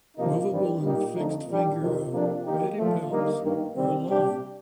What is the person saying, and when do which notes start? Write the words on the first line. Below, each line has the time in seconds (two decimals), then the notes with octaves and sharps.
Movable and fixed finger of pedipalps are long.
0.17 D2 C3 F3 A#3 D#4
0.50 G2 D#3 G3 C4
0.82 A#2 G3 A#3 D#4 G4
1.15 F2 D3 F3 A3 D#4
1.47 A#2 G3 D4 G4
1.80 F2 C3 D#3
2.12 F2 C3 F3 A#3 D4
2.45 D#2 D#3 A#3 D#4 G4
2.78 A#2 F3 A3
3.11 D3 G3 A#3 D#4
3.43 G2 D#3 A#3
3.75 C3 D#3 G3 C4
4.08 C3 G3 D4 G4